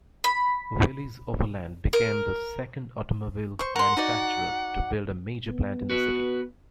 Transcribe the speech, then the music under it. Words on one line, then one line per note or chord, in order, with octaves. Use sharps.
Willys-Overland became the second automobile manufacturer to build a major plant in the city.
B5
A#4
C5 C#6
A#4 F#5 C6
D#4 F#4 D5
B3
F#4 B4